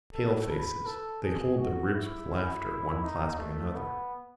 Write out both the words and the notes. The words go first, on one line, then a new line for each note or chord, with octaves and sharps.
Palefaces: they hold their ribs with laughter, one clasping another.
A4
B4
A4
G#4
F#4
E4
D#4
A3
B3